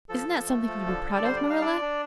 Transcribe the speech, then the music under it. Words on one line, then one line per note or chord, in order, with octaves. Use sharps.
Isn't that something to be proud of, Marilla?
F3 A4
F3
A3
F3
D3
D3
D5
G3 C5
D5
D4
F5
D4 D5
D4